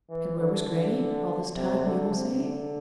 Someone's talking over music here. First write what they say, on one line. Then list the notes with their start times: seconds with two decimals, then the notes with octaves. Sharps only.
And where was Grannie all this time, you will say?
0.10 E3
0.39 D3
0.68 D3
1.55 C3
1.85 D3
2.13 C3
2.42 D3